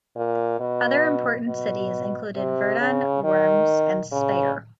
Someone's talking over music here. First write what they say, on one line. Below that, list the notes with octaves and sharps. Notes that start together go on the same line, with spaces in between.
Other important cities included Verdun, Worms and Speyer.
A#2
B2
B2
C3
C#3
D#3
C#3